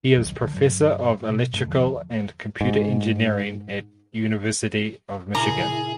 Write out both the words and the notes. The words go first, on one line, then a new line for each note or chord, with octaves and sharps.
He is Professor of Electrical and Computer Engineering at University of Michigan.
E1 C2 D#3 F#3
A#1 D3
G2 F#3
B2
G2 G#3 A3 D4
E2 D3 F3
G#2
A#2 C#3 E4 G#4 A#5